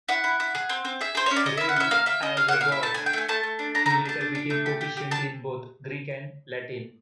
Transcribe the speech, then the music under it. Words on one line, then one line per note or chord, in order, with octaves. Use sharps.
Raised as a Goth, he later became proficient in both Greek and Latin.
E4 F#5
E4
E4
G#4
C4
C4
G#4 E5
G#4 C5
C#4 C#5
D5
C#4 D#5
E4 E5
F#5
C#4 E5
A#3 F5
A#3 E5
C#4 D#5
G#4 F5
A#3 F#5
F5
E4 E5
A3 A5
D4 G#5
G5
A3 G#5
A3 A5
A3
D4
D4 A#5
A3 A#5
D4 A5
D4
D4
A3
G4
G4
G4
D4 A5